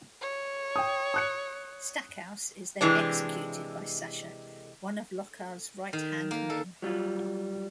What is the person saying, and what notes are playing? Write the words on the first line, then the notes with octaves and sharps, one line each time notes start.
Stackhouse is then executed by Sasha, one of Lokar's right-hand men.
C#5
G5 D#6
D#6 F#6 C#7
C3 E3 G#3 D4
D#3
A#3
A4
F#3 G3 F4